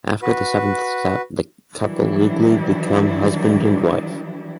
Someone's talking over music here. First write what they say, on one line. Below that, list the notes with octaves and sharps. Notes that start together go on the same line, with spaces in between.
After the seventh step, the couple legally become husband and wife.
F#4 B4
D#3 E3 F#3 G3 D4 E4